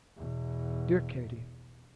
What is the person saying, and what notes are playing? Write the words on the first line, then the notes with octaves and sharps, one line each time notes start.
Dear Katie!
E2 B2